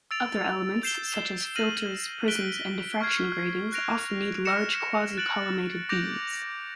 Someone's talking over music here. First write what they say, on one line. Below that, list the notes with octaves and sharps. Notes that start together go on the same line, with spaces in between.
Other elements, such as filters, prisms and diffraction gratings often need large quasi-collimated beams.
E6 A6 D7 F7
G6 C7 E7 G7
F6 A#6 D#7 F#7
F#6 B6 D7 G7
C#6 F6 G#6 C7
F#6 A#6 D7 F7
F6 A#6 C#7 E7
F#6 A6 D7 F#7
D6 G6 A#6 D7 F7